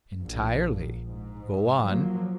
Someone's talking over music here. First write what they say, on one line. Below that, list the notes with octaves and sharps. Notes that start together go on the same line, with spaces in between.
"Entirely; go on."
A#1
G#2
F3 F#3 A#3